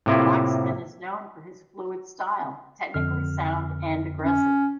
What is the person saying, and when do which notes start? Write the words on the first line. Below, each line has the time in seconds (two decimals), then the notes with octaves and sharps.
Laxman is known for his fluid style, technically sound and aggressive.
0.06 A2 C3 A#3 E4 F4
2.94 F2 D3 F6
4.24 C#4